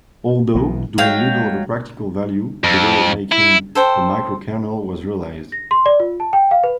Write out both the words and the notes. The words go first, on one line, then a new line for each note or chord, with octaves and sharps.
Although doing little of practical value, the goal of making a microkernel was realized.
B1 B2 E3
F#3 G#3 F5 G5
F2
E4
A4 C5 G5
A#6
C6
D5
F4
A5
G5
F5
B4